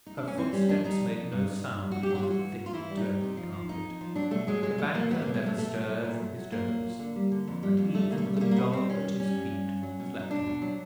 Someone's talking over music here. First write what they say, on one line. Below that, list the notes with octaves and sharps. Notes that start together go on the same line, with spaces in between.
Her footsteps made no sound on the thick Turkey carpet; the banker never stirred from his doze, and even the dog at his feet slept on.
D#4
D4
C#4
E3 C4
G3 C#4
F2 D4
G3 D#4
F2
F2
G2
G2
G2
G2
G2 F#4
G4
F#3 F#4
F4
E3 F#4
G#2
G#2
F4
E3 E4
G3
D#4
G3
C3
F3
F3
F2 D#4
F2
F3
F#3 D4
B2 A3
F#3 G#3
F#3 G#3
F#3 A3
B2 A#3
F#3 B3
B2 A#3
G#3
B2 A3
B2 A3
F#3
F#3
A#2
F#3
F#3
A#2 A#3
F#3
A#2
D3
G3
D3
F2
G3
F2
G3 A3
B2 A#3
A3
G3
A3
G3 A#3
A#3
B2 B3
G3 C4
D#3 C#4
G3
G3 C#4
G2
G2
G2
F#3
B2
F#3 D#4
B2 D4
B2
F#3